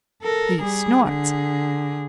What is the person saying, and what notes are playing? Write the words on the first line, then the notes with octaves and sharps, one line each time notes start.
He snorts.
A4 A#4
G3 G#4
D3 G#4